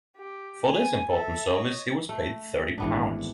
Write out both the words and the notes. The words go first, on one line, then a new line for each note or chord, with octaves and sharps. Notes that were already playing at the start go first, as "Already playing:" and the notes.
For this important service he was paid thirty pounds.
G4
G#5
A4 E5
C#5 D#5
A3
G#1 E3 B3 D4